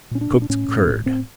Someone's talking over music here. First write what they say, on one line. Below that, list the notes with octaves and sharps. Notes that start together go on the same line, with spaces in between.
Cooked curd.
A#2 C#4
D4
A#2
D4
A2 C#4
A2
A2
A2 C4